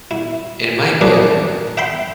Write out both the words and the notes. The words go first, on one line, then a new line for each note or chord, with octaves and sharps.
It might be a
E4
F#2 F3 A#3 D4 G#4 B4
E5 G5 B5 C6